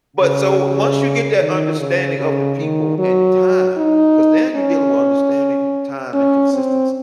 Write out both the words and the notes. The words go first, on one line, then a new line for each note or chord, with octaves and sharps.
But, so, once you get that understanding of the people and time, 'cause now you're dealing with understanding time and consistency,
C#3
D#3
C#3
C#3
D#3
F#3
D#4
C#4
C#4
C4